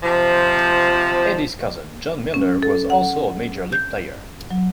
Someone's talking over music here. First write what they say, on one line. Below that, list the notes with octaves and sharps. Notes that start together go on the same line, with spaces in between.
Eddie's cousin, John Milner, was also a major league player.
C3 F3
C#4
A4
F#5
G6
F#3